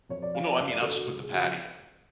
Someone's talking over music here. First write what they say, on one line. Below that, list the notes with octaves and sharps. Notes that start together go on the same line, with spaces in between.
Well, no, I mean, I'll just put the patty in
F2 C#5
D5
F3 F5
D5
F#2 F5
D5
D3 F#3 A4
F#4
C#2
G#4
C#3 F3 F#4